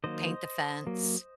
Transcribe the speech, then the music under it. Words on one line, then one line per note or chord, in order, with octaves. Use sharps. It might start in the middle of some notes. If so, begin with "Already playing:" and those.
paint the fence,
D#3 F#3 A#3 C5 D#5
F#3 A#3